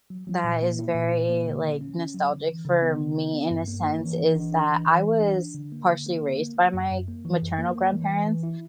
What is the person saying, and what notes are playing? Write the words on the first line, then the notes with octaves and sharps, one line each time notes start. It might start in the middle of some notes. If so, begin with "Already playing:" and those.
that is very, like, nostalgic for me in a sense, is that I was partially raised by my maternal grandparents,
F#3
F#3
A#2
A#3
E4
A#2
A#2
A#3
D3
D3
C#4
C#4
F#3
D3
E3
C#3
B3
C#3
B3
B3
G2
A#3
A#3
E3
E3
D4
D4
E3
E3
E3
D4
D4
D3
A#3
D3
A#3
D3
A#3
A#3
F#2
F#2
A#3
E3
F#2
A#3
A#3
E3
E3
E3
E4